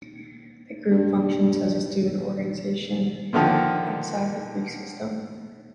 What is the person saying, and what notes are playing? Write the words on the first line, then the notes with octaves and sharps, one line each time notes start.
The group functions as a student organization outside the Greek system.
G2
A#2 D3 D#3 F3